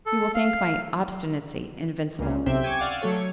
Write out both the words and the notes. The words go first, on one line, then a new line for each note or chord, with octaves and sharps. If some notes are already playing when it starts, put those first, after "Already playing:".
You will think my obstinacy invincible.
A4
F5
C#2 A#2 C#3
B1 C3 C4 E5 G5
G5 G#5 C#6 D6 E6 G#6
D5 F5 F#5 G#5 D6 E6
F#3 A3 A4 C#5
C#5